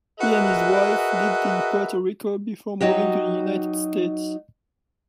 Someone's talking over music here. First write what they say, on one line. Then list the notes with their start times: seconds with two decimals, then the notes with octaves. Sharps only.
He and his wife lived in Puerto Rico before moving to the United States.
0.20 F#4 G#4 A#4 B4 D#5 E5
2.81 F#3 D#4 F#4 G4